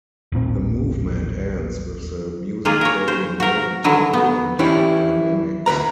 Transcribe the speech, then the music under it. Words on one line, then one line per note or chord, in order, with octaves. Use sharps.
The movement ends with the music fading away in tempo and dynamics.
D#1 A1 A#2 C4
D#3 A#3 F4 G#4
A#4 C#5
C5
F#4 A#4
D3 D#3 F#3 E4 B4
B3
E3 C#4 D4 E4 G4
D2 B2 B4 A#5